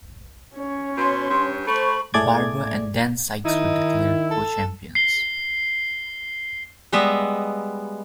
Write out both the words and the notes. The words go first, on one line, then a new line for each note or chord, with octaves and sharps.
Barber and Dan Sikes were declared co-champions.
C#4 C#5
B2 C6
G2
A3 C5 B5 C#6
A2 A3 G#4 D5 D6 G#6
D#3 D#4 E4
A4
C7 G7
G3 G#3 B3 D#5 E5